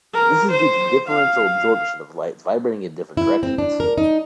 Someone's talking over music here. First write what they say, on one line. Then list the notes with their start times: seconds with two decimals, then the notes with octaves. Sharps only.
This is due to differential absorption of light vibrating in different directions.
0.14 A#4
0.51 C5
1.08 F5
3.17 E4
3.43 C4
3.58 D4
3.80 A#4
3.98 D#4